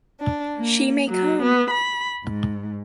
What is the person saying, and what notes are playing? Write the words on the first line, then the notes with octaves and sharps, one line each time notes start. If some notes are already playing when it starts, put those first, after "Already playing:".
She may come!
D4
A#3
F#3
B3
B5
G#2